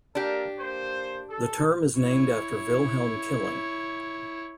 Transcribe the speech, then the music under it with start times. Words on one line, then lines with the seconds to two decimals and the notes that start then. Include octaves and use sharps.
The term is named after Wilhelm Killing.
0.15 A#3 D4 G4 A4 A#4
0.59 A#3 C5
1.29 A4
1.99 E4 C#5